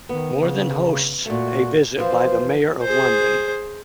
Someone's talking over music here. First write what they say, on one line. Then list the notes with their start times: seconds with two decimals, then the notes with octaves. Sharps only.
More than hosts a visit by the Mayor of London.
0.09 D#3 B3
0.34 C#3
1.26 A#2 A3 F#4
1.98 E3 F3 C5
2.82 G#4 C5